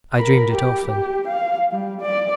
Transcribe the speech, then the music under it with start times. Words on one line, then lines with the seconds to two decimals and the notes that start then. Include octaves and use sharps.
I dreamed it often.
0.18 A#4 B5
0.51 G4
0.85 G4
1.27 F5
1.72 G3
2.01 D5